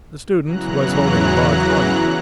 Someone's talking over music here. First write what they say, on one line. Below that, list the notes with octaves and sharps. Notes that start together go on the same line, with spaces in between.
The student was holding a large bundle.
E2 C#3 E3 F#3 A#5 F#6